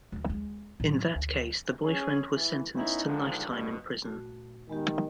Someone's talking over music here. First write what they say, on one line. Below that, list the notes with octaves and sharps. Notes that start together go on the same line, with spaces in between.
In that case the boyfriend was sentenced to lifetime in prison.
D2
G#3
A2 F#3
D2
C#4 G#4
E3
B3 C#4 D#4 E4
G#2 D3 D#3 F3
G2 B2
A#2 A3 F#4
D#3 G#3 B3 G4